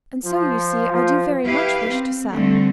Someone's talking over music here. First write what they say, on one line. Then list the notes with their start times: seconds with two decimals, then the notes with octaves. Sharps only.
"And so you see, I do very much wish to sell."
0.25 F3
0.91 F3
1.44 E4 G4 B4 F5
1.89 C4
2.29 D3 G3 A3 C4